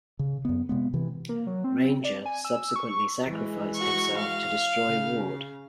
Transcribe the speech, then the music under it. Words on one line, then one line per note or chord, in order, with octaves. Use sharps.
Ranger subsequently sacrificed himself to destroy Ward.
C#3
F#2 B3
C3 G#3 B3
C3 E3
A#3
F#3
C4
D5
G#5
E6
C#6
E3 G#3
F#4 C#6
F5
C#3